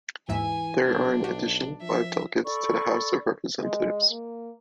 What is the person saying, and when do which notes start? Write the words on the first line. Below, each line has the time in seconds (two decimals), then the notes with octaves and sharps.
There are an additional five delegates to the House of Representatives.
0.29 D#2 G#2 E3 E5 G#5
0.83 B1 D4
1.24 F#4 G4
1.82 F3 E5
2.45 A4 D5 B5 C#6
3.62 G#3
4.11 A#3